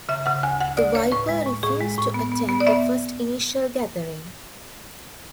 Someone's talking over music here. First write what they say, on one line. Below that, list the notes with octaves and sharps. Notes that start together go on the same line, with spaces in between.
The Viper refused to attend the first initial gathering.
C#3 E5
C#3 F#5
D2 G#5
D2 F#5
D2 D5
D2 C#5
A2 B4
G#3
A2
A2 G#4
G#3
A2
B3
B3
B3
D5
B3 E5